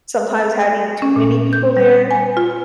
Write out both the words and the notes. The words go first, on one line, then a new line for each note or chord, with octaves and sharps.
sometimes having too many people there,
C#4
A#2
G6
G3
G#5
F4